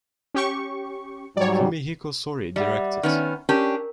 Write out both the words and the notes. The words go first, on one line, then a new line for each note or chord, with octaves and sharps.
Fumihiko Sori directed.
C#4 G4 C#6
G#2 F#3 G3 C#5 D5
G3 D5 E5 F#5
D#3 B3 C#4
C#4 D4 G4 A#4